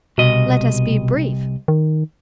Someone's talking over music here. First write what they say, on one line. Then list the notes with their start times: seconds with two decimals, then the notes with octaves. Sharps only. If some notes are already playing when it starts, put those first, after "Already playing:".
Let us be brief.
0.18 C2 B2 D#5
1.68 D#3